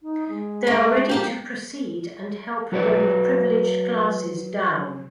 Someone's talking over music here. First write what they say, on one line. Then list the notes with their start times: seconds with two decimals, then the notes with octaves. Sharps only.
They are ready to proceed and help bring the privileged classes down.
0.01 D#4
0.29 G#3
0.67 A3 D4
1.09 F3 A#3 G4
2.72 F#3 F#4 B4 C5 D5